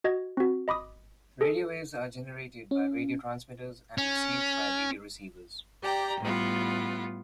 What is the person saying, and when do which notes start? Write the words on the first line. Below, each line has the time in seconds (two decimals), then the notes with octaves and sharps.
Radio waves are generated by radio transmitters and received by radio receivers.
0.04 F#4 D#5 G#6
0.37 C4 F#4
0.68 D#5 B5 D6 D#6
1.41 G#4 A4
2.71 C#4
3.98 C#4
5.82 G4 D5 G5 A#5
6.21 A2 G3 B3 F4